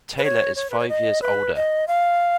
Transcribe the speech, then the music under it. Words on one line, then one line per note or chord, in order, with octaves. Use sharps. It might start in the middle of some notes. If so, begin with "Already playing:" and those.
Taylor is five years older.
B4
C#5
C#5
B4
C#5
D#5
B4
D#5
F5